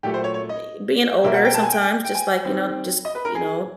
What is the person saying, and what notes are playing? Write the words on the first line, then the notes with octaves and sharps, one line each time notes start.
be being older sometimes just, like you know, just you know,
A#2 F#3 A3 G4
C5
C#5
C#5
D#5
B2 G3 A#3 E5
F#5
G5
A5
G#5
G5
G#5
G5
G#5
D#3 G3 C4
D#5
B4
A#4
G#4